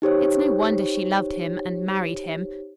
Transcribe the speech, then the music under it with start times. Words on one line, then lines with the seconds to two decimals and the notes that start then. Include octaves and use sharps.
"It's no wonder she loved him and--married him."
0.02 D#4 G4 C5 C#5